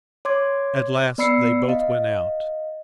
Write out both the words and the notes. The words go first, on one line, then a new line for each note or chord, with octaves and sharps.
At last they both went out.
C#5 C6 D6 G#6
B3 D5 B5 E6 C7 C#7
D#5 F5